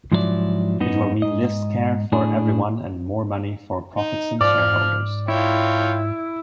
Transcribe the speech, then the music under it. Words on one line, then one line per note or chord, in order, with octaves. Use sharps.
It will mean less care for everyone, and more money for profits and shareholders.
G#2 F3 F#3 E4 G#4 D5
F#2 B3 D#4 D#5
G#2 D#5
A2 D4 G#4
D#4
G#2 F3 D5 F6
E4 F4 C#5 G5